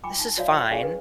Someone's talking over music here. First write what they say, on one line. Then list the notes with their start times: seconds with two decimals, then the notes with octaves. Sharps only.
this is fine.
0.04 G5 G#5 B5 C#6 D6
0.19 D#4
0.37 F#4 C#5 D5 E5 F5
0.52 E4 A4 G5
0.71 C#4 G#4 D5 F5 G#5 C#6
0.83 B4